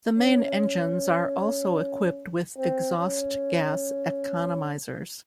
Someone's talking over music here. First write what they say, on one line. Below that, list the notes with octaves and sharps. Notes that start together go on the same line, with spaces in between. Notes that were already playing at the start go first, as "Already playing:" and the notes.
The main engines are also equipped with exhaust gas economizers.
C#4
C4
C#4